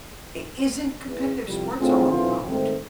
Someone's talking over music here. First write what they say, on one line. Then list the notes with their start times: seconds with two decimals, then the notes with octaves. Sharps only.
I Isn't competitive sports all about
1.07 E2
1.47 C2 F2 F3 G3
1.80 A2 D3 C4 D#4 F4 G#4
2.10 B1 D3 E3 C4 F4 C5
2.48 G#2 D#3 A3 C4